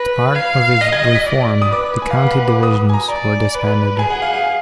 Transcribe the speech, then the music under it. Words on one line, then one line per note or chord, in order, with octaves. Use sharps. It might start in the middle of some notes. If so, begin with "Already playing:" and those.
As part of this reform, the County Divisions were disbanded.
Already playing: B4 A#6
F5 G#6
D#5 A#6
G#6
A#6
B6
D5
D#6
B4 D6
G#5
F5
B4 F#5
F5
D6
D#6
G#5
A#5
D5 A#5
B4
G#4 G#5
F#5
F5
F5